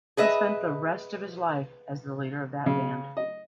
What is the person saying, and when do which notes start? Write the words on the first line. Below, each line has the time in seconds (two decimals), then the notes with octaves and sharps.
He spent the rest of his life as the leader of that band.
0.17 G#4 B4 D#5 E5
2.66 C#3
3.17 D#5